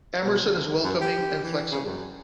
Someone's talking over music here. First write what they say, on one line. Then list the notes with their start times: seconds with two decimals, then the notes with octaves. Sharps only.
Emerson is welcoming and flexible.
0.24 B2
0.42 D2
0.83 F#2
1.01 G4
1.44 E3
1.71 C#3
1.86 F#2